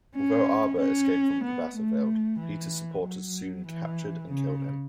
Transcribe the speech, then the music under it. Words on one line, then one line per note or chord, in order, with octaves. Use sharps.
Although Aba escaped from the battlefield, Peter's supporters soon captured and killed him.
C#4
C#4
B3
A3
E3
F#3
E3
C#3